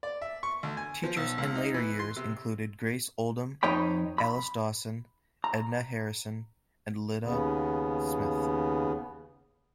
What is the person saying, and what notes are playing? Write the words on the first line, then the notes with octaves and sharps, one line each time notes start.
Teachers in later years included Grace Oldham, Alice Dawson, Edna Harrison, and Lida Smith.
D5
E5
C#6
D2
G#5
F3
B1
C#2
D#4
E3
C6
C3
F2 D#4 C#5 G5 B5
B5
A#5
D#2 C#3 B3